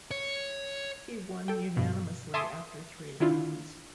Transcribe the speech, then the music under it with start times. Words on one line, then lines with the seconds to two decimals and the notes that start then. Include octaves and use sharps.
He won unanimously after three rounds.
0.11 C#5
1.48 A4 G5
1.77 G2 B2
2.34 E5 G#5 A5 C6 D6 D#6
3.20 D#3 D4 E4 F4